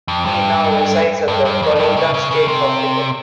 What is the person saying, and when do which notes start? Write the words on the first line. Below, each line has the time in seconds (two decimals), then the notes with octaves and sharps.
He now resides at the Coalinga State Hospital.
0.08 F2
0.25 G2
1.28 G2
1.45 G2
1.62 F2
1.76 F2
1.79 G2
1.96 C#3
2.14 C#3
2.31 C#3
2.48 C3